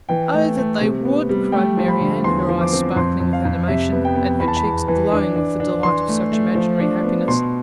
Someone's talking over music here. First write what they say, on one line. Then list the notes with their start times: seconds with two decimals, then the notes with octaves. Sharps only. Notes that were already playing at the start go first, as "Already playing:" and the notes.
"Oh that they would!" cried Marianne, her eyes sparkling with animation, and her cheeks glowing with the delight of such imaginary happiness.
0.09 E3 G5
0.34 A3
0.58 A3
0.81 C3
1.05 B3
1.29 G3
1.52 A3 G5
1.77 F3
1.88 B5
2.01 D3
2.24 E2 C6
2.49 F3
2.61 D6
2.73 C4
2.96 F2 C6
3.20 F2
3.33 F5
3.45 F2
3.68 C3 E5
3.92 B3
4.05 G5
4.16 B3
4.40 E2 B5
4.48 A5
4.57 B5
4.64 E2
4.88 E3
5.12 D4
5.36 D4
5.60 D4
5.83 E3 C6
6.08 A3
6.32 A3
6.55 F3
6.80 D4
7.03 B3
7.28 B2 C6